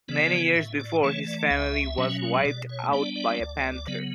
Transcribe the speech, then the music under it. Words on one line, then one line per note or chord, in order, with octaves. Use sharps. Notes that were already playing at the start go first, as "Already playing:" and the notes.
Many years before his family was wiped out by a panther.
C#3 E3 B3 D5
A2 E5
D5
E3 A3 C#5
D5
C#2 E5
B2 F#3 C#4
B2 D5
C#5
G3 B3 D4 D5
D5
D2
C#3 F#3 B3